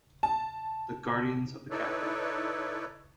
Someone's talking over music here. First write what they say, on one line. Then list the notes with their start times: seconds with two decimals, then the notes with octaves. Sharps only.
The guardians of the capital.
0.23 A5
1.71 D#4 E4 A4 B4 C#5 D5